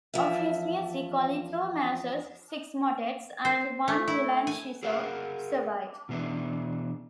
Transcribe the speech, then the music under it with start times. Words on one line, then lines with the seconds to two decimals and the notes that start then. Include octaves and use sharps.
Of his music only two masses, six motets and one villancico survive.
0.14 E2 F3 E5
3.45 C5
3.88 A3
4.08 E4
4.47 G#5
4.83 G#4 A#4 F5 F#5
6.09 B2 E3 B3 D4